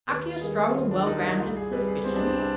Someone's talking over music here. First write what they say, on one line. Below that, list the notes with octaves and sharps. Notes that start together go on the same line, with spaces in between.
"After your strong and well-grounded suspicions?"
D#2 B4
D#3 G3 G#4
D#2 F4
D4
D#3 G3 D#4
F4
C2 F4
G#4
C3 G3 B4
G#4
C2 C4
D4
C4
C3 D4